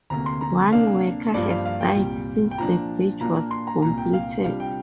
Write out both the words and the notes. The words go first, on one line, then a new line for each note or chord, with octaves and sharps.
One worker has died since the bridge was completed.
D2 C3 A#3 A#5
C6
A#5
C3 A#3 D4 F5
G2 F3 A#3 F4 D5
F5
F5
G5
C2 A#2 G3
G5
A#2 F3 D4 A#5
A#2 A#3 D4 F4 A#5
C6
A#5
C2 A#2 A#3 A#5
G5
F5
C3 G3 D4 F4 F5
G5